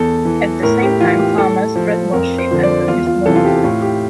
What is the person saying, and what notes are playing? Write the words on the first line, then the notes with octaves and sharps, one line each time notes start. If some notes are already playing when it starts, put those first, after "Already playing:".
At the same time farmers bred more sheep and produced more wool.
Already playing: E2 A4
E3
A2 A#4
G4
E3 F4
G4
A2 A4
F3
F2 A#4
C5
D3 F3
D5
E2 F4
F4
C3 E3 A4
F4
G4
A2 F4
G4